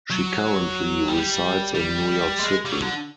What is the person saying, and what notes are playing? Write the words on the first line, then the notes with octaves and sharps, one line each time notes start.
She currently resides in New York City.
F#3
G3
G3
G#3
G3
F#3
D3